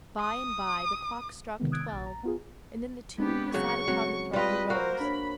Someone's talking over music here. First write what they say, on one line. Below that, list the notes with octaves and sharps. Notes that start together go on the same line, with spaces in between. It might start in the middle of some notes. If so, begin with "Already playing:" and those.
By-and-by the clock struck twelve, and then the two who sat upon the throne arose.
D#6
C3 D#3 G#3 B3
D#6 E6 F#6 G#6 D7
A#1 A6
A#5
B3 F4 G#4
G#3 B3 C4 D4 G4
C#3 F#3 C#6
F#3 G#3 C4 F#4
G3 F4 B4 D#5
A#3 F#4 A#4 C5
D4 C5 C#5 B5